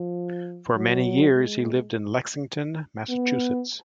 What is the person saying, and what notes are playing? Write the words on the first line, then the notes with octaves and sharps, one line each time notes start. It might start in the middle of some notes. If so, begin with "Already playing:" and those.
For many years, he lived in Lexington, Massachusetts.
Already playing: F3
F#3
G#3
B3